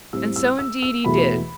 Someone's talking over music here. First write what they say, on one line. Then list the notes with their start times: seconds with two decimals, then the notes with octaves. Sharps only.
And so indeed he did.
0.13 A2 G3 C4 E4 E6
0.36 E6
0.59 E6
0.82 E6
1.04 E2 B2 A3 B5